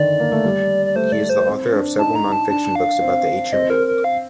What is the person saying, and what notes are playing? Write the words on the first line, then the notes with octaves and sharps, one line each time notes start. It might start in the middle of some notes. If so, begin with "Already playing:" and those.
He is the author of several non-fiction books about the ancient world.
Already playing: D3 D#3 D5
A#3
A3
G3
D5
A3 C5
D5
C5
C4
D4
D#4 A5
A#5
A5
D4 A5
F5
C4
C4 D#5
A#4
A#4
F5